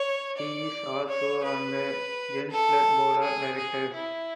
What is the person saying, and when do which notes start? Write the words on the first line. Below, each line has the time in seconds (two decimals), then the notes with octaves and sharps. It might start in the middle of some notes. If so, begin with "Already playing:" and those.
He is also on the Gensler board of directors.
Already playing: C#5
0.38 D5
1.08 C#5
1.44 B4
2.51 A4
3.22 G#4
3.57 G#4
3.94 E4